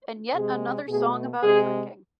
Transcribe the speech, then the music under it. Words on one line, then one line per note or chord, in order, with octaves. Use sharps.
And yet another song about drinking.
C3 G#3 G#4
B2 A3 G#4
C3 G#3 G#4